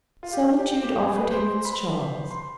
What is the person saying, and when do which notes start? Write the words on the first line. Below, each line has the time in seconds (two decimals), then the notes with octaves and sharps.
Solitude offered him its charms.
0.23 F4
0.33 G4
0.59 G4
0.83 G4
1.00 G#4
1.16 B4
1.32 C5
1.65 B5
2.31 C6